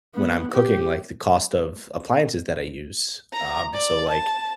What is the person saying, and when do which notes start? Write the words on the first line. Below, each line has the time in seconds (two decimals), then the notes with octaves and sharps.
when I'm cooking, like, the cost of appliances that I use, um, so, like,
0.15 B3
0.52 G4
3.33 A#5
3.74 D5
4.10 A5